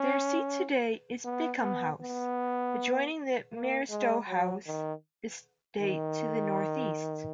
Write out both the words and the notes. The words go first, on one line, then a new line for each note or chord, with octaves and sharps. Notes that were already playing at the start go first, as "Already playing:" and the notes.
Their seat today is Bickham House, adjoining the Maristow House estate to the north-east.
Already playing: C#4
B3
B3
B3
A#3
G#3
F#3
D#3
D#3